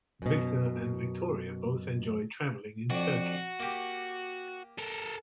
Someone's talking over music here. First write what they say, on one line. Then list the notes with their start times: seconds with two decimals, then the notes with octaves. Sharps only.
Victor and Victoria both enjoy traveling in Turkey.
0.22 F#2 B2
2.90 F2 D4 F#4
3.60 A#3 G4
4.78 A4 A#4